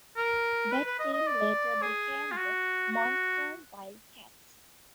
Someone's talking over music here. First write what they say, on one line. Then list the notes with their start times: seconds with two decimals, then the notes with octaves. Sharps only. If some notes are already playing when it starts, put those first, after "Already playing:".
That team later became the Moncton Wildcats.
0.17 A#4
0.72 B4
0.86 B4
1.00 D#5
1.13 D#5
1.27 D5
1.82 G#4
2.31 F4
2.37 F#4
2.92 F#4